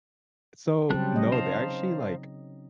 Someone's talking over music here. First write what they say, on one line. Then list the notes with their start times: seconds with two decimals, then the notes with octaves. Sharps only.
so No, they actually, like
0.90 C#3 F#3 G3 C4 A5 F#6
1.16 D#5
1.32 D#4 C5 F5 A5